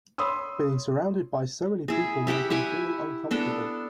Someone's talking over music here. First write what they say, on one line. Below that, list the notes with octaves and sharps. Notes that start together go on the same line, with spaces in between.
Being surounded by so many people made him feel uncomfortable.
C#5 B5 C6 D#6 E6
E4 G#4
E4 G4 F#5 B5
E4 G4 F#5 G#5
B3 D4 A4